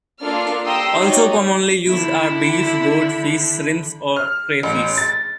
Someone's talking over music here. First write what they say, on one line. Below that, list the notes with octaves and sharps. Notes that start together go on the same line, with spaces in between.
Also commonly used are beef, goat, fish, shrimps, or crayfish.
A#3 D4 F4 A4 F6
G4 G5 A#5 C6 D#6 E6
D#4 F#4 G4 C#5 D5
D3 E4 B5
F6
A1
A6